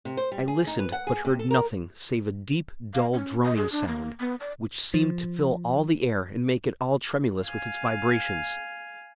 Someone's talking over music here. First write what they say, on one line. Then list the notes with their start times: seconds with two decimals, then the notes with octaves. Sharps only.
I listened, but heard nothing save a deep, dull, droning sound, which seemed to fill all the air and make it all tremulous with its vibrations.
0.05 C3
0.17 C5
0.32 G3
0.48 G#4
0.67 D#4
0.79 B4
0.92 F#5
1.07 G#4
1.25 C3
1.39 A4
1.51 A#4
2.94 F5
3.14 C#4
3.45 D#5
3.56 G#4
3.72 D4
3.88 A#3
4.20 B3
4.41 D5
4.94 F3
7.46 F5 G#5